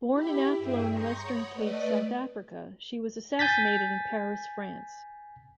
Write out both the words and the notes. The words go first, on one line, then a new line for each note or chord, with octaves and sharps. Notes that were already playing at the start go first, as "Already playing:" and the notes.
Born in Athlone, Western Cape, South Africa, she was assassinated in Paris, France.
E4 G4 B5
G2 G#4 E5 G5
A#5 C6 C#6 D#6 G6 A#6
C#5 F#5 B5 D#6
A3 B4 D5 D#5
G#5 G6 A6 B6